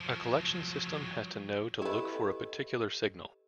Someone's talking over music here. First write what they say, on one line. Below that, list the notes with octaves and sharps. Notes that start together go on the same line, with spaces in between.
A collection system has to know to look for a particular signal.
F3 F#3
E4 G4 A4 B4 D#5